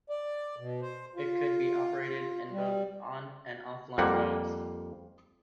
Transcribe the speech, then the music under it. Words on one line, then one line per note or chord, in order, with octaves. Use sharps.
It could be operated in both on- and off-line modes.
D5
B2
C5
F4
G3
F2 G3 A#3 F#5